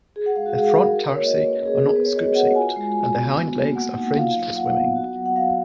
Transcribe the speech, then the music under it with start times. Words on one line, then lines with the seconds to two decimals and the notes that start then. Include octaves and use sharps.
Their front tarsi are not scoop-shaped and their hind legs are fringed for swimming.
0.16 F#4 G#4
0.26 F#5
0.36 G#3 F5
0.46 F#4
0.55 G#3 G#4
0.70 G#4
0.76 D#4
0.82 A#4
0.95 F#4 A#4
1.05 C#5
1.16 A#3 C#5
1.25 D#5
1.35 A#3 C#5
1.46 B4
1.55 C#4 A#4
1.66 G#4
1.76 B3 G#4
1.86 A#4
1.95 B3 B4
2.06 C#5
2.15 F#4 D#5
2.35 F#4 F#5
2.55 F4 G#5
2.76 G#3
2.95 G#3
3.15 B3
3.35 F#4
3.56 A#3
3.75 A#3 F#5
3.96 D#4
4.16 F4 F5
4.36 F#3
4.55 F#3 F#5
4.76 B3
4.96 F#4
5.16 F#3
5.26 F#5
5.36 F#3 F5